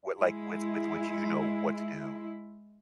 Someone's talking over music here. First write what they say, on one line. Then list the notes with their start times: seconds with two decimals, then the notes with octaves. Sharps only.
what, like, with with which you know what to do
0.18 G#3 E4